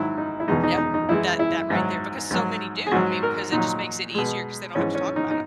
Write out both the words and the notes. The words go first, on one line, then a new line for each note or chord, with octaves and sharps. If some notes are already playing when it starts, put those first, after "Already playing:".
Yeah. That that right there, because so many do. I mean, 'cause it just makes it easier 'cause they don't have to talk about it.
Already playing: G#2 D#3 F#3 E4
D#4
E4
E2 B2 G#3 D#4
D#4
D#4
D#4
F#2 E3 G#3 E4
E4
G#2 F#3
G#2 F#3
G#4
G#2 F#3 F#4
A#4
A#2 D#4
F#3
B2 G#3
G#2 E3 G#3 C#4
C#4
D#4
D#4